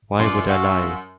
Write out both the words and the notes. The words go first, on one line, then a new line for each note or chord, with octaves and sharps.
Why Would I Lie?
F#2 F4 D5
F#4 E5 F5